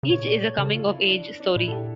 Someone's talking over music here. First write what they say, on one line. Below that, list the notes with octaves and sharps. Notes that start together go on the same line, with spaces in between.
Each is a coming of age story.
C#3
A#2 C#5
D5
C#5
C#3 A4
F4
E4
D4
D4
A#2 E4
A4
G4